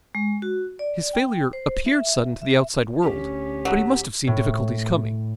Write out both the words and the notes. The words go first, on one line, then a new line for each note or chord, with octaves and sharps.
His failure appeared sudden to the outside world, but he must have seen difficulties coming.
G#3
F#4
D5
G5
C5
E5
E5
D2 C#4 G4
F#3
A2